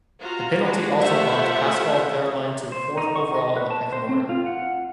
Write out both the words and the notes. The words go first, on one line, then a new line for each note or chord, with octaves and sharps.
This penalty also bumped Pascal Wehrlein to fourth overall in the pecking order.
F4 F#4 A#5
G#3 D4 F#4 F#5
A3 F4 G4 C5 E5 F#5
C5
D#4
C#6
D#5
B4
A5
C5
C4
F4
F#5